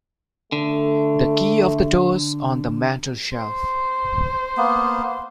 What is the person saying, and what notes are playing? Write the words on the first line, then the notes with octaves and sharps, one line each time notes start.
The key of the door's on the mantelshelf.
D3 A3
C5
A#3 B3